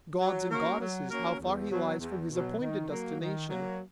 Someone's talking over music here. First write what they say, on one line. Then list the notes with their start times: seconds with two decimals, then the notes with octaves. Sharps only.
Gods and goddesses, how far he lies from his appointed destination!
0.19 F#3
0.49 A#3 C#4 F#4 A#4
0.80 F#3
1.10 A#3 C#4 F#4 A#4
1.39 E2
1.69 B2 F#3
1.99 E2
2.30 B2 F#3
2.60 D#3
2.89 F#3 A#3
3.20 D#3
3.49 F#3 A#3